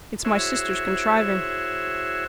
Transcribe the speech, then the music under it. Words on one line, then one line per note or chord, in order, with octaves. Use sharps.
It's my sister's contriving.'
E4 F#4 G#4 C5 C#5 E5